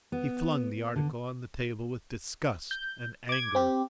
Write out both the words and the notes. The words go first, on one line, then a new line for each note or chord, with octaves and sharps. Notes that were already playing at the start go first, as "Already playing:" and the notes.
He flung the article on the table with disgust and anger.
B3
D3
G6
D6 G#6
C4 G4